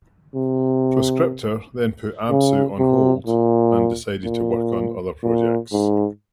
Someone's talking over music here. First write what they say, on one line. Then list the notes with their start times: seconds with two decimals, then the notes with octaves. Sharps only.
Proscriptor then put Absu on hold and decided to work on other projects.
0.35 C3
2.30 C#3
2.79 C3
3.27 A#2
4.24 A#2
5.23 A#2
5.72 G#2